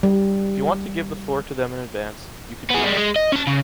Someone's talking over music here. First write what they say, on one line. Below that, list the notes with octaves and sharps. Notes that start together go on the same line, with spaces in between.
If you want to give the floor to them in advance, you could do it.
G3
B3 G#4
G3 G#3
G#3
D#5
C#4 A5
C#3